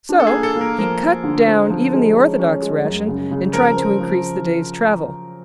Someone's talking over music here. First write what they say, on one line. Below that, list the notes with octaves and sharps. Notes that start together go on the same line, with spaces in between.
So he cut down even the orthodox ration and tried to increase the day's travel.
D4
A4
G#4
A#3
A4
A#3
A#4
F3 A#4
F3
D3
C4
F3
G#3
C#4
C#4
G#3
F#2
C#3
C#3
F3 A#4
C4
F3